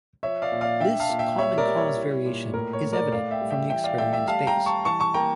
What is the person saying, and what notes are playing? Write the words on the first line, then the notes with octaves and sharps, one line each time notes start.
This "common-cause variation" is evident from the experience base.
F3 C#5 E5
D5 F5
A#2
D5 F5
D4 E5 G5
F5 A5
A#2
E5 G5
G3 C#5 E5
A#4 D5
G3
C#5
E4
A#2
A2 A#4
C#5
A3
A#4 D5
A2 D5 F5
E5 G5
G3
E5 G5
E3 E5 G5
D5 F5
A3 E5 G5
E5 G5
G3 F5 A5
G5 A#5
G3
A5 C#6
E3 A5 C#6
A5 C#6
A#3 G5 A#5